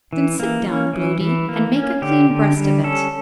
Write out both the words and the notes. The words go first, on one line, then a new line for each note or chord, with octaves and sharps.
"Then sit down, Gloody, and make a clean breast of it."
E3
A#3
C#4
E3
E3
A#3
C#4
D3 G4
D3
G3
C#4 A4